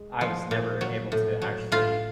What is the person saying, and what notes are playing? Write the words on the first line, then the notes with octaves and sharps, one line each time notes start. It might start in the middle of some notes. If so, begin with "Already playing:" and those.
I was never able to actually
Already playing: G#3
F3
A#2
F#3
A2
F#3
A2 F4